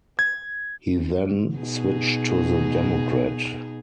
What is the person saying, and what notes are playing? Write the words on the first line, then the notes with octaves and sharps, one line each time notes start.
He then switch to the Democrat.
G#6
B2 D#4 G#4